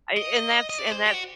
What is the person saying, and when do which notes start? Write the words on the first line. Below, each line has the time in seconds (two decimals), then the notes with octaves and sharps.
I and that's and that
0.17 D#5
0.70 D#5
0.78 D5
0.92 C5
1.05 G4
1.14 F#4